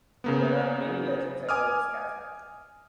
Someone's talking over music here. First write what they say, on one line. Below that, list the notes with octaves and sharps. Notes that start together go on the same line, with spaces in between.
There are many legends about this castle.
C#3 A#3 B3
G#5 D6 D#6 F6